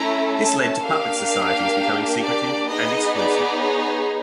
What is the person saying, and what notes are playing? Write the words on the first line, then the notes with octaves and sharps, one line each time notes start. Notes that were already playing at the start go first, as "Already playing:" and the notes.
This led to puppet societies becoming secretive and exclusive.
Already playing: A3 C#4 E4 A4 A#5
A5
A#3 D4 G4 F5
D5
B3 D#4 G#4 D#5
D5
C#5